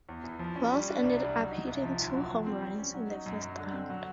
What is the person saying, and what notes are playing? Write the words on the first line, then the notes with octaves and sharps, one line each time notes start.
Wells ended up hitting two home runs in the first round.
E2
E3
F3
C#4
G3
D4
C2
G3
F#3
D#4
C2
F3
D#2
F#3
F3
C4
G3
C#4
F#3
D#4
F#2
F#3
D3
C4
F#3